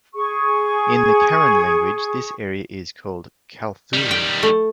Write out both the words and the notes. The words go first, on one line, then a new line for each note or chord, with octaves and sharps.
In the Karen language, this area is called Kawthoolei.
G#4 C#6
D#3 G3
G5
A3